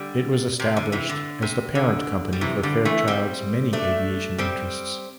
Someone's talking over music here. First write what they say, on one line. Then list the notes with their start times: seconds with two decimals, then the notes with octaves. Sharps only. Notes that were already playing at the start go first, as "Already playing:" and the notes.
It was established as the parent company for Fairchild's many aviation interests.
Already playing: D3 G3
0.60 C3
0.77 D3
0.92 C3 E3
1.09 D3
1.42 C3
1.75 D3
2.33 G3
2.41 C3 E3
2.63 D3 G3
2.85 E3 A3
3.08 G3 C4
3.73 A3 D4
4.38 G3 C4